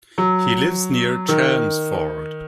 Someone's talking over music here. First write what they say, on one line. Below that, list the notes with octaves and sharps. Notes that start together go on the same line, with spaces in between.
He lives near Chelmsford.
F#3
D#3